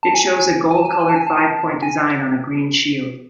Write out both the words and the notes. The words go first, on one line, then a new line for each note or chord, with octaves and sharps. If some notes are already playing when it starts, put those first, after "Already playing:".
It shows a gold-colored five point design on a green shield.
A5
G#5
G#5
A5
G#5
A5
G#5
A5
G#5
A5
G#5